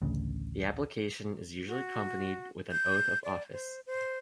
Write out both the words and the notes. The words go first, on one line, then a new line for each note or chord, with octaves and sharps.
The application is usually accompanied with an oath of office.
A1 D2 C#3
F#4
G6
D5
C5
C5